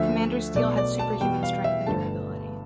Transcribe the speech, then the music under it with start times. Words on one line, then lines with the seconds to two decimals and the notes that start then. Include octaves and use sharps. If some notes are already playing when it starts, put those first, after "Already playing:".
Commander Steel had superhuman strength and durability.
Already playing: D2 D3 F3 A3 E5
0.55 B1 B2 A3 D5
0.77 D5
0.99 A5
1.21 E2 B2 G3 G5
1.43 F5
1.64 E5
1.87 G1 G2 D3 A3 A5